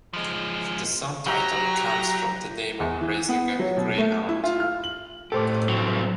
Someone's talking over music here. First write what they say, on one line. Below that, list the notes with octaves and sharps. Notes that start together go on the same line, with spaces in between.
The song title comes from the name of a racing greyhound.
F3 G#3
F#3 G4 A#5
E2
E3
B3
F#3
B2
A3
E4
F4
F6
F#7
A2 A3 G4 A4 C5 D6
C2 F#3 C4